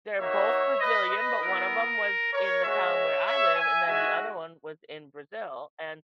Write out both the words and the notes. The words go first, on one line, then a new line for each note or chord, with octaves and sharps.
they're both Brazilian, but one of them was in the town where I live, and then the other one was in Brazil, and
A#3 D#4 F#4 C#5 E5
B4 D#5
B4 D#5
B3 E4 A#4
A#4 C#5
G#3 C#4 F#4 C#5 E5
C#5 E5
E5 G#5
G#3 D#4 F#4 E5 G#5